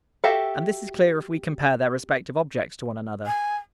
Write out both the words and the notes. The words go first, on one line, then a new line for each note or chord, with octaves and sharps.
And this is clear if we compare their respective objects to one another.
F#4 G4 A4 E5 F5
G#5